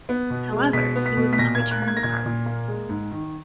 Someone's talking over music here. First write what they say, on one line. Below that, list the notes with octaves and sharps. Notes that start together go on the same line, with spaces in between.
However, he was not returned to Parliament.
B3
B2
G#3
B2 B6
B3
B6
B2
B6
A#2 A#6
G#6
A#3
F#6
A#3
G#6
A#6
A#2 G#6
A#2
A#3
G#3
G#2
D#3